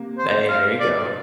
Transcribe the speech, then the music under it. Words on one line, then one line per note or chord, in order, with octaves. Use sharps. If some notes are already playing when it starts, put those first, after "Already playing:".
Hey, there you go.
Already playing: C3 A#3 G4
C5
F5
D5